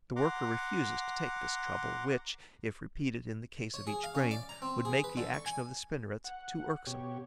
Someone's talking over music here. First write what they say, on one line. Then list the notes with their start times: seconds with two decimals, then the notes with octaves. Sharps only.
The worker refuses to take this trouble, which, if repeated in the case of each grain, would make the action of the spinnerets too irksome.
0.16 F#5 A#5 C6 D6
3.74 C#5
3.87 G#4
4.03 F5
4.15 C#4
4.31 D5
4.49 A#5
4.62 C4
4.85 G#4
5.04 B4
5.17 D3
5.34 C#6
5.46 G#5
6.24 F#5
6.87 B2 G4 C#5